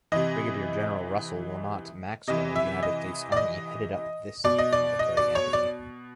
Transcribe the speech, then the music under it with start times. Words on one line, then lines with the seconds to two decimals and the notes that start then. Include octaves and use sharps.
Brigadier General Russell Lamont Maxwell, United States Army, headed up this military entity.
0.12 C3 E3 D#5
2.27 C3 E3 D#5
2.56 E5
2.83 D#5
3.32 D5
3.37 D#5
4.44 B2 D5
4.58 D#5
4.73 D5
4.99 D#5
5.17 D5
5.35 C#5
5.53 D5